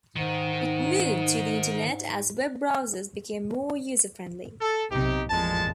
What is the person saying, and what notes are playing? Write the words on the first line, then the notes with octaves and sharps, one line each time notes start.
It moved to the internet as web browsers became more user-friendly.
G#2 D#3
A4
B1 C3 D#4 G4
A1 F2 A#2 G#3 A5